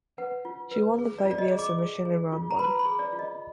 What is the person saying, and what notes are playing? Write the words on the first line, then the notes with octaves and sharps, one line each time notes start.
She won the fight via submission in round one.
B4 F#5
F4
B4
G#4
D5
F4
D5
D#5
G#4
D6
G#4
G#4
F4
A#5
B4 B5
B5
G#4
D5
F4
D#5